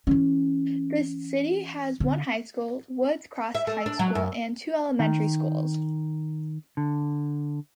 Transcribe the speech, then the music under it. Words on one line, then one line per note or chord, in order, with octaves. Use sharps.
The city has one high school, Woods Cross High School, and two elementary schools.
E3 C#4
D3
E5
A3
D4
F#3
F#2
D#3
D3